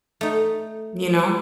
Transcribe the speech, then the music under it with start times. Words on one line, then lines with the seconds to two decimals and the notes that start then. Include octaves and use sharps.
you know?
0.21 A3 D#4